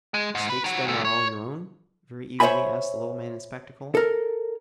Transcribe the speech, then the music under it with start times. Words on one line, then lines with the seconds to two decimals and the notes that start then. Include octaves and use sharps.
"The stake's then not all your own?" very eagerly asked the little man in spectacles.
0.14 G#3
0.35 G#2
0.50 B4
0.64 D#3 F#4
0.87 C2 A3
1.05 C#5
2.40 C5 C#5 D#5 E5 G#5 B5
3.95 A4 A#4